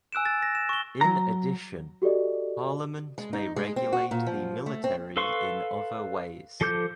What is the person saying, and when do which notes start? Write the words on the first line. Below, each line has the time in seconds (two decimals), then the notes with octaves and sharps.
In addition, Parliament may regulate the military in other ways.
0.12 G#5 E6 F#6 D7 E7
0.25 A6
0.42 A#6
0.55 E7
0.69 C#6 G7
1.01 F#3 A#5
2.02 F#4 G4 A4 D5 D#5
3.18 G#3
3.33 D#4
3.56 G#3
3.76 C4
3.93 F#4
4.11 A#2
4.27 F3
4.66 A3
4.84 C4
5.17 A4 B4 F5 C6 C#6
6.61 F3 A4 D6 G6